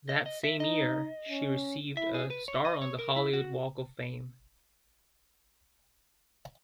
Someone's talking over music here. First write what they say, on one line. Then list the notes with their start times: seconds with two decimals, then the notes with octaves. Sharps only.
That same year, she received a star on the Hollywood Walk of Fame.
0.09 D#5
0.26 D#5
0.44 E5
0.60 D#4 D#5
1.29 C#4
1.97 E4 E5
2.14 G#4
2.30 B4
2.48 C#5
2.65 D#5
2.82 C#5
2.99 A#4
3.16 E4
3.33 F#4